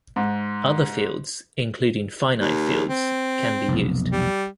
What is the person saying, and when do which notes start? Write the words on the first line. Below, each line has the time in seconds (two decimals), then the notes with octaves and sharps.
Other fields, including finite fields, can be used.
0.16 G#2
2.40 D#2
2.89 C4
3.68 F1 B1
4.12 G3